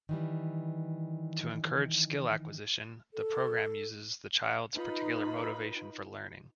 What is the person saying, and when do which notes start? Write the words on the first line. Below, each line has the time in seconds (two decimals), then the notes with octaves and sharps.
To encourage skill acquisition, the program uses the child's particular motivation for learning.
0.09 D#3 E3 G3
3.14 A4
4.75 D#4 F4 B4 B5